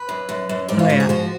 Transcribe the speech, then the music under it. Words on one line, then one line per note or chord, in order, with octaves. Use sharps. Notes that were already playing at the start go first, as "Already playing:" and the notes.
Oh, yeah.
Already playing: B4
F#2
F#2
F#2
G#2 D5
F4
G#2 F#4
G#4
F3 F#4